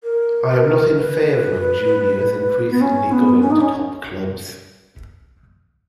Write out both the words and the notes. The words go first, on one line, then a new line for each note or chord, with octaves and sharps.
I am not in favour of juniors increasingly going to top clubs.
A#4
B4
B3
C#4
B3
C#4
D#4
C#4